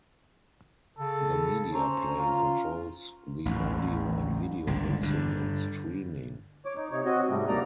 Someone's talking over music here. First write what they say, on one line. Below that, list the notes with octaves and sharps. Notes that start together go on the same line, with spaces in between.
The Media Plane controls the audio and video mixing and streaming.
C#3 A4
C#4 C5 A#5
F4
A1 D#2
G1 C#2 D3
G2 D3
C#5 D6
D#4
C3 D#4 C#5
C4 F#4 D#5
G#2 C3 F#3 G3 A3
D2 C3 A#3 D#4 D5 A#5